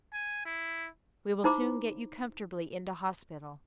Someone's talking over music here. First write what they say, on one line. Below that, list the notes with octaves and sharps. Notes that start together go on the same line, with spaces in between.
We will soon get you comfortably into hospital.
G#5
E4
D#4 E4 C5 A#5 B5 D6